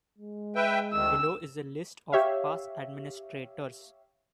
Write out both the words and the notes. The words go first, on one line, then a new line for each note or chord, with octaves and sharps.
Below is a list of past administrators.
G#3
B4 E5 G5
D2 D#3 E6
G4 C#5 E5 F5